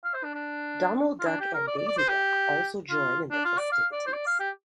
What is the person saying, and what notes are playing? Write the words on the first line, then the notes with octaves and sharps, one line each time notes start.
Donald Duck and Daisy Duck also join in the festivities.
F5
C5
D4
D4
F4
D4
G4
A#4
D5
D5
D5
C5
G4
F4
D4
F4
D5
F5
D5
C5
D5
F5
G4